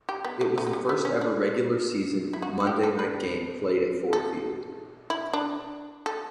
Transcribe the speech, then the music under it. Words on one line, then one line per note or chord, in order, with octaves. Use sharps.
It was the first ever regular season Monday night game played at Ford Field.
G4
B3
A3
A3
F#3
G3
B3
C#4
D4
E4
F#4
F#4
G4
A4
B4
A4
E4
D4
A4